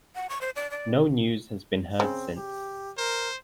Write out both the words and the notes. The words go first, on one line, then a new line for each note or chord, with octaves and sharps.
No news has been heard since.
F#5
C#6
C5
D5
D5
C#3 C4
G4
A#4 C5